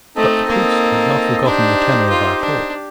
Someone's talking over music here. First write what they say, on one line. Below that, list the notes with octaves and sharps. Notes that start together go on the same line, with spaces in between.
But the priest had not forgotten the tenor of our talk.
A3 C4 D#4 A4 D#5
A#3
D4 D#4 G4 C5
F4
D4
G4